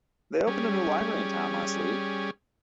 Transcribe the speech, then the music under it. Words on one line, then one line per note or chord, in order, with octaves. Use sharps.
They opened a new library in town last week.
G3 C#4 G#4